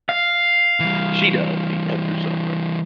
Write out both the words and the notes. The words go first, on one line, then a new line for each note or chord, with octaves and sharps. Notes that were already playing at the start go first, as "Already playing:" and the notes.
She does see out there somewhere.
F5
E3 G3